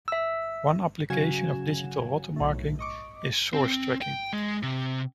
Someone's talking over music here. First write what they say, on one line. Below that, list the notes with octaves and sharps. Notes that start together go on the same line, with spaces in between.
One application of digital watermarking is source tracking.
E5 E6
C#3 F#3 F#4 G#5 G#6 E7
B1 A2
D#5 C#6 D6
C4
G5
G#3
C3